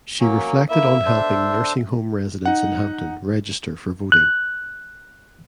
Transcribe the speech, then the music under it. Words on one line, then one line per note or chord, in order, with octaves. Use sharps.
She reflected on helping nursing home residents in Hampton register for voting.
F#3 A#3 C#4
A#3 E4 E5
D4 A4 C5
D#4 F#5
F#6